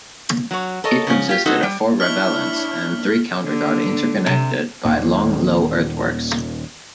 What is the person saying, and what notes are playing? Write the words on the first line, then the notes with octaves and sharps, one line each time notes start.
It consisted of four ravelins and three counter guard interconnected by long, low earthworks.
F#3 C#5
A4 A#4 C#5 D#5
C#3 F3 C#4
F4 G4
C4 D#4 F#4 A4 B4
G3 G5
D4 E4 C#5 F6 B6 F#7
D3
C3
D#1 D#2 A#2 A#3